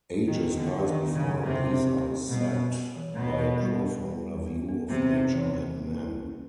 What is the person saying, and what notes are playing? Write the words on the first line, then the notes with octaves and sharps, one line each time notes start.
Ages pass before these are sapped by a profounder view of nature and man.
G4
D#3
B3
D3 B3
G4
D#3
B3
C#3
D#4
C3 G4
D#4
G4
G4
B2 G3
B3
B3
E3
B2 B3
E3
G3
G3
G3
G3
B3
B3
C3 B3
D#4
E3
E3
A#3
E4
C#4